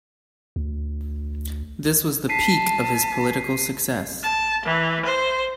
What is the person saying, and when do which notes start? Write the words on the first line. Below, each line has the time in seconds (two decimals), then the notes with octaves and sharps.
This was the peak of his political success.
0.56 D2
2.29 A5 B6 C7 D#7
4.22 A5
4.64 E3
5.04 C5